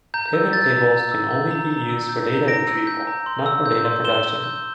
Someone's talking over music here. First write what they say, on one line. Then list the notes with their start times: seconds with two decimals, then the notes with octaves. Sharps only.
Pivot tables can only be used for data retrieval, not for data production.
0.14 A#5 G6
0.33 E6
0.53 G6 A6
0.72 A#5
0.92 A#5
1.12 E6
1.31 G6
1.51 A#5
1.70 A#5
1.90 E6
2.09 G6
2.29 A#5
2.48 A#5 A#6 D7
2.67 E6
2.87 G6
3.07 A#5
3.26 C6
3.46 E6
3.66 G6
3.85 C6
4.04 C6 E7 G7
4.24 E6
4.44 G6